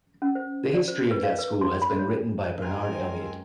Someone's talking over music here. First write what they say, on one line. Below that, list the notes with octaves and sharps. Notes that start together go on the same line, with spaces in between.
The history of that school has been written by Bernard Elliott.
C#4
C5
D5
C5
B4
F5
B4
C6
B5
C#5
F#2 G#3 C4 F4 A#4 G#5